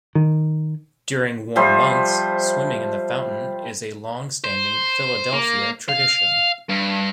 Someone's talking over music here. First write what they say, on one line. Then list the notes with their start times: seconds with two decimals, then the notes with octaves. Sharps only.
During warm months, swimming in the fountain is a long-standing Philadelphia tradition.
0.15 D#3
1.56 F3 G3 C5 E5
4.44 C5
5.33 A#3
5.89 F5
6.69 G2